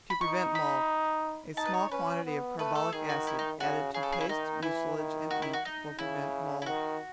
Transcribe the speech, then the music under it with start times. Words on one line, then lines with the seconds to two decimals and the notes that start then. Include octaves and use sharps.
To Prevent Mold.--A small quantity of carbolic acid added to paste, mucilage and ink, will prevent mold.
0.10 B5
0.21 D#4 C#6
0.55 B5
1.57 D#4 A5
1.65 B4
1.74 C#5
1.91 C#4 B4
2.25 B3
2.59 A3 B4
2.75 A4
2.92 D#3 G#4
3.09 F#4
3.27 E4
3.39 D#4
3.60 C#3 F#4
3.94 C#3 G#4
4.03 A4
4.12 G#4
4.21 E4
4.29 D#3 D#4
4.63 E3 E4
4.97 D#3
5.31 F#4
5.42 E4
5.53 F#4
5.65 D#4
5.99 C#3 E4
6.62 E4
6.66 D#3 F#4